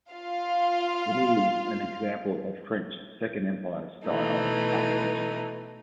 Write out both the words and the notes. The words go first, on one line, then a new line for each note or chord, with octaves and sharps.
It is an example of French Second Empire-style architecture.
F4 F5
B2 E3 A3 D#4